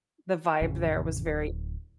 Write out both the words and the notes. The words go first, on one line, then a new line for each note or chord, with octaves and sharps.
The vibe there was very
A1 F2 C#3
D1